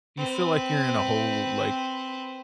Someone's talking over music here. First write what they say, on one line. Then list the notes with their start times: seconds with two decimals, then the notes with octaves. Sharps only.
You feel like you're in a whole, like,
0.17 C4 B4